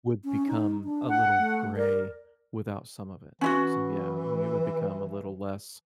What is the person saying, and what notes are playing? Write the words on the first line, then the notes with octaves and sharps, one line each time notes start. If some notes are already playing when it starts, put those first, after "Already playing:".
would become a little gray without some of it. So, yeah, I mean, it would become a little less
C#4
D#4
D4
F#5
A3
A#4 D5
E3 C#4 E4 F#4